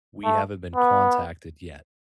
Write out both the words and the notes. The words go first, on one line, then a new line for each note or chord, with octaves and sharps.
we haven't been contacted yet?
A3
B3